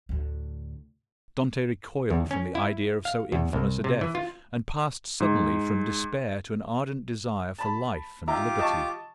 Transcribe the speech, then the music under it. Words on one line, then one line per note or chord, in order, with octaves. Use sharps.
Dantes recoiled from the idea of so infamous a death, and passed suddenly from despair to an ardent desire for life and liberty.
D2 A2
E2
C#4
E4
F5
E2
C2
C3
E3
F4
G#2
A5 B5
D#4 F4 G4 E5 A#5 D6
D#5 A5 C#6